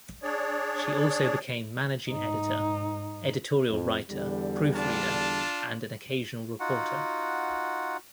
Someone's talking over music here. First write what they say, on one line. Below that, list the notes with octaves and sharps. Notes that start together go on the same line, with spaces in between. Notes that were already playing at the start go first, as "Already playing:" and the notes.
She also became managing editor, editorial writer, proof reader and an occasional reporter.
D4 G#4 C#5 D5
G#2 D#4
F2
E2 D3 G3
D4 F4 A5
D#4 F4 F#4 F#5